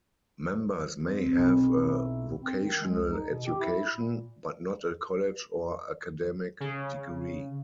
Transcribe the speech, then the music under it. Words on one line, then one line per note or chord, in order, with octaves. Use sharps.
Members may have a vocational education, but not a college or academic degree.
C4
B1
E4
C4
D#3
G#3
C#2
D#4
B2
G4
E4
A#2
C#3